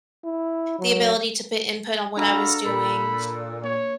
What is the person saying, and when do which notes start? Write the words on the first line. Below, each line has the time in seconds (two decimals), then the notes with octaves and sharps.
the ability to put input on what I was doing.
0.25 E4
0.79 F#3
2.17 D4 F#4 A4 F5 A#5 B5
2.66 A#2 A#4 B5
3.64 A#3 C#5